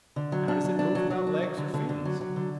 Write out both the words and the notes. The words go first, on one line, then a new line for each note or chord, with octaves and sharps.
How does it move without legs or fins?
D3
F#3
D4
F#3
D4
F#3
F#3
D4
F#3
D3
D3
D3
F#3
F#3
D3